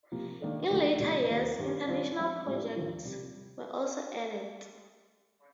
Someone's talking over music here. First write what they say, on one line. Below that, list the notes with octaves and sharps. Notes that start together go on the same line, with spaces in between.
In later years, international projects were also added.
C3 F3 A#3
D#3 A#3 D4 A4
D2 D3 F3 A3
D2 C3 F3 A#3
D#2 D#3 A#3 F4
G2 D#3 G3 C4
D#3 G3 D4 F4
F3 C4 F4
A2 G3 D4 F4
D#2 D3 F3
C3 G3